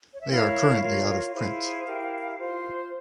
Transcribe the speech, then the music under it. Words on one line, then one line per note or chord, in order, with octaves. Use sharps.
They are currently out of print.
C#5
E5
E4 A#4 C#5 F5
F4 A#4 C#5
E4 G#4 C5 F5
E4 G4 A#4
F4 C5